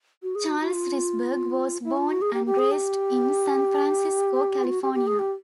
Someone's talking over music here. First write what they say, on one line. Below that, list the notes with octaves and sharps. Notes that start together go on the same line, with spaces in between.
Charles Risberg was born and raised in San Francisco, California.
F#4
G#4
F#4
F#4
F4
E4
F4
F#4
G#4
G4
G4
G#4
G4
F4
F#4
G4
G4
G#4
G4